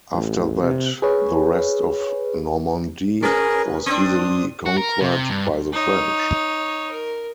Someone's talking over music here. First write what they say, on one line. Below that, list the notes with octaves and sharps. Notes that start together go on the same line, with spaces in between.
After that, the rest of Normandy was easily conquered by the French.
A1
C3
G#4 B4 C#5
C#4 G#4 A#4 B4
C4 D4 D#6
F#4
A#4
C3
G2
D#4 C#5
A#4